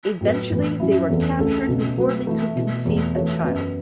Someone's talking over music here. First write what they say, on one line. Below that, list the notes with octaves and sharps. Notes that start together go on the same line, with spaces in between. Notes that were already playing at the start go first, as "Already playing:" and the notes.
Eventually they were captured before they could conceive a child.
A2 F#3 B3
A2 E3 B3
F#2 F#3 C#4 E4
E2 E3 C#4 A4
C#2 C#3 A3 C#4 A4
C#2 B2 A3
F#3 A3 F#4 B4
E3 A3 E4
B2 A3 E4
E2 E3 A3
E3 A3 F#4 C#5
F#2 F#3 B3